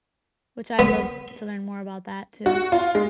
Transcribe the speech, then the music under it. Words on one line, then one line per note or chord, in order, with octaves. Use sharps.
which I'd love to learn more about that too.
B3
F#4
F4
G#3